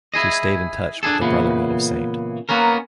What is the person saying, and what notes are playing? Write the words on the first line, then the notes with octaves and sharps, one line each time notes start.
She stayed in touch with the Brotherhood of Saint.
E4 G#4 D#5
D4 E4 G#4 A4
A#2 C#3 E3 B3
A#3 B3 C#4 A#4